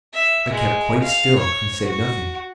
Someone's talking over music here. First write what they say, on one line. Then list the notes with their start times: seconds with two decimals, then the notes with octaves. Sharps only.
I kept quite still and said nothing.
0.13 E5
0.49 G#3
1.02 F5
1.39 C#5
1.84 F#4